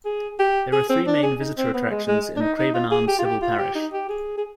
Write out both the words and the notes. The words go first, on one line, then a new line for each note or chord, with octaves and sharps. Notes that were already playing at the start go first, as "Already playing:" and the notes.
There are three main visitor attractions in the Craven Arms civil parish.
G#4
G4
G#4
C4
D4
G#4
D#4
C4
B3
G#3
G#3
D4
D#4
D#4
F4
G#4
G4
F4
G4
F4
G4
D#4
G4
G#4
G#4